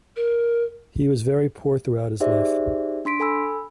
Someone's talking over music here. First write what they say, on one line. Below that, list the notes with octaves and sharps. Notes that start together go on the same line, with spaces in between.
He was very poor throughout his life.
A#4
D#4 G4 G#4 C5 D5 E5
D4 C6 B6 D7
A4 G#5 B5 E6